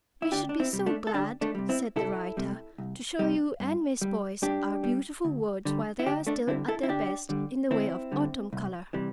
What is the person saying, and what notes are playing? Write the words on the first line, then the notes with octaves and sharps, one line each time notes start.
"We should be so glad," said the writer, "to show you and Miss Boyce our beautiful woods while they are still at their best, in the way of autumn colour."
E4
D2 D4 G4
D4
C4 E4
C3 G3
A3 D4
A4
D2 D4 G4
A3 D4
C3 G3
C4 E4
C2 E4 A4
C3 G3
C2
C3 G3
G2
G3
G2 D4 G4
G3
D2
D3 G3
E4
D2 D4 G4
A3 D4
D3 G3 C4 E4
E4 A4
E4
D2 D4 G4
D3 G3
D2 C4 E4
D3 G3
C2
C3 E3 G3